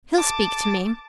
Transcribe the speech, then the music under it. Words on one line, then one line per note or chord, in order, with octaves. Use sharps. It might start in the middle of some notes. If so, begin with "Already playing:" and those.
He'll speak to me.
A5 D6